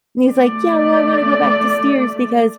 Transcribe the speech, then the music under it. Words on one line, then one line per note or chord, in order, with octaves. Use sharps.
and he's like, "Yeah, well, I wanna go back to steers, because,
A3 D5